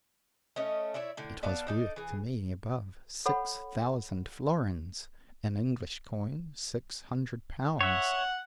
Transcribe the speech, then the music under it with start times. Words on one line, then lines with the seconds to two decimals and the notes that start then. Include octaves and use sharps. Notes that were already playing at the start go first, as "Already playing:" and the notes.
It was worth to me above six thousand florins, in English coin six hundred pounds.
0.56 A3 C#4 D#5
0.94 E4 C#5 D5 E5
1.17 A2 D3
1.43 B3 D5 F5 A5
1.67 D4 D#4 A4
1.96 E3 G#4
3.26 A4 C#5 F#5 B5
7.81 C#5 E5 F#5